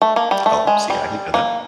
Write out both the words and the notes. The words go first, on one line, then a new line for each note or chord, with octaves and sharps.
Oh, see, I didn't know that.
A3
A#3
G3
A3
G#3
G3
A#3